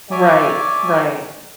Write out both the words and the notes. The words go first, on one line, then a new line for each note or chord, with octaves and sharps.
Right, right.
C#5 D5 E5 G#5 D6